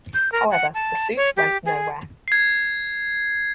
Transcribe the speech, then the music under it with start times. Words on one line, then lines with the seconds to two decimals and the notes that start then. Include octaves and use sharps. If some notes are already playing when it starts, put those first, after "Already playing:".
However, the suit went nowhere.
0.14 G6
0.32 A#4
0.51 F#5
0.74 A5
1.16 C#5
1.37 G4
1.66 G#4
2.28 G#6 C7